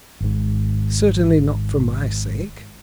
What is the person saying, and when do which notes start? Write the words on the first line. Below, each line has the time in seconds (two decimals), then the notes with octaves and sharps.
"Certainly not for my sake."
0.21 G#1 G#2